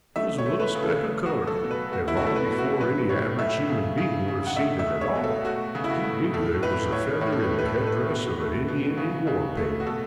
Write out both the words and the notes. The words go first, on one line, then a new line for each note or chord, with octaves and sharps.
It was a little speck of color, and long before any average human being would have seen it at all he knew that it was a feather in the headdress of an Indian in war paint.
A3 E5
C#5
A3
B4
C#3
A4
A3
F#4
F#3
A4
B2
B4
A3 F#4
E4
F#4
A3 A4
B4
B2
F#4
F#3 B4
A2 C#5
A3 E5
C#3
C#3
C#3
F#5
A3 E5
E5
A3
C#5
B2
A4
A3 F#4
C#3
E4
F#4
A3
A2 A4
A2 B4
A2 C#5
A2 C#5
A4
B4
A3
B4
A4
A3
B4
B2
A3
B2
C#3
C#3
A3
F#4
B2 A4